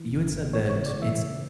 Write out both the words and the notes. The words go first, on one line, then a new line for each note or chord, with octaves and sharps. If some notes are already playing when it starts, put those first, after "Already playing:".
you had said that it's
Already playing: E3
G1
G1
E3 C#5
C#5
C#3
D5
E3 E5
C#3